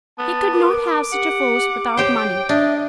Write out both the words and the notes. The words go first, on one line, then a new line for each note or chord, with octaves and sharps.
He could not have such a force without money.
B3 A5
A#4 D6
G4 F#5
G4 C5 C#5 G5
D4 D#5 E5